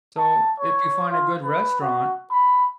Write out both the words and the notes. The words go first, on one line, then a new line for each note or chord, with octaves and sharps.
So, if you find a good restaurant,
A5
C#5
F4
B4
F#4
B5